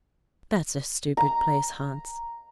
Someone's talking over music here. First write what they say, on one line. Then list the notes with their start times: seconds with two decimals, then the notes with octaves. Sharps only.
'That's a stupid place, Hans.
1.17 A#5